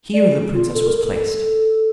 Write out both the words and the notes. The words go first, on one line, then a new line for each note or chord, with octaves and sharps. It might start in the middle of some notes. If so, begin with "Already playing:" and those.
Here the princess was placed.
D5
F4
A4
A#4
A4